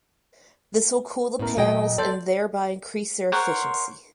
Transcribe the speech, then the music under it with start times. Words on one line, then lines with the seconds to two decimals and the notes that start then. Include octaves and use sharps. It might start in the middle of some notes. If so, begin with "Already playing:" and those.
This will cool the panels and thereby increase their efficiency.
1.39 A2 B3 C#4 A#4
1.57 E2 A#2 F#3 D#5 G5 G#5
1.98 A4 D5 C6 G6
3.32 A#4 C5 C#5 F#5